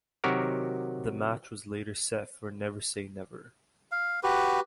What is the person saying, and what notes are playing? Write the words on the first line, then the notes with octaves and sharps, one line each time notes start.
The match was later set for Never Say Never.
C3 D#3 F#3 F#4 G4 A#4
F5
F#4 G4 B4